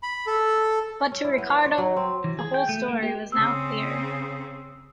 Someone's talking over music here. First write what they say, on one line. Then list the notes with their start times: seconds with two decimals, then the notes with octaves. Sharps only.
But to Ricardo the whole story was now clear.
0.03 B5
0.27 A4
1.12 C#4
1.24 E4
1.38 B3
1.49 C5
1.66 C#5
1.78 F#3
1.96 C4
2.24 E3
2.39 G#4
2.54 G5
2.69 A3
2.88 A#3
3.03 G4
3.32 C#3 C4 D#6 E6